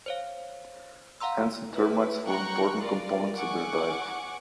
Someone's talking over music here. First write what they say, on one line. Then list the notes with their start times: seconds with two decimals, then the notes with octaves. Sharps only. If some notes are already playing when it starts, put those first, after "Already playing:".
Ants and termites form important components of their diet.
0.06 C5 C#5 F5
1.20 F5 F#5 A#5 C6 E6
1.72 E4 B4
2.25 F#5 G5 A#5 C#6 F#6
2.79 F4 A#4 D5
3.36 F#5 G#5 C#6 D6